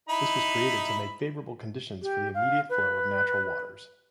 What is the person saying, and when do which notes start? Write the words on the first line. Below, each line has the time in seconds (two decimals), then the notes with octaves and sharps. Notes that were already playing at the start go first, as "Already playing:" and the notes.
This was created to make favorable conditions for the immediate flow of natural waters.
0.09 D#4 E4 B5
2.02 G4
2.34 F5
2.70 B4